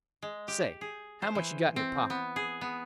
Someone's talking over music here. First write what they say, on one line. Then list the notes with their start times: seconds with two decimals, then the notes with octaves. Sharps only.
Say, how much you got in your pocket?
0.22 G#3
0.48 G4
0.81 G#4
1.22 C5
1.35 E3
1.76 C4
2.10 B3
2.36 G#4
2.61 B3